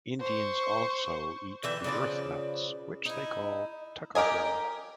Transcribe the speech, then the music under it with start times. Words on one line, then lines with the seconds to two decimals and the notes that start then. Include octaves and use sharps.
Indians also eat the earth-nuts, which they call tuckahoe.
0.20 C5 C#6
1.63 D3 E3 E5 G5
1.84 C#3 F3 B4 D5
3.05 D#4 E4
4.15 G4 A#4 D#5 G#5